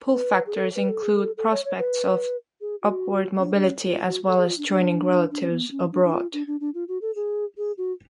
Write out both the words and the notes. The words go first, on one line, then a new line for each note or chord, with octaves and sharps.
Pull factors include prospects of upward mobility as well as joining relatives abroad.
B4
G#4
A4
B4
A4
G#4
A4
A4
C#5
C#5
B4
G#4
F#4
C#4
D4
D4
C#4
F4
F#4
A4
G#4
F4
D4
D4
D4
C#4
B3
C#4
D4
D4
F4
D4
D4
D4
F4
F#4
A4
G#4
G#4
F#4